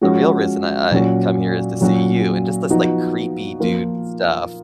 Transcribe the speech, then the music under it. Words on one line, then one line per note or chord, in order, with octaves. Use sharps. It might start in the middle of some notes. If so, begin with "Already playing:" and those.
the real reason I I come here is to see you," and just this, like, creepy dude stuff.
F3 G#3 C#4 F#4
A#2 F#3 C#4 F#4
A#2 F#3 C#4 F#4
F3 B3 D#4 F#4
F3 A#3 F4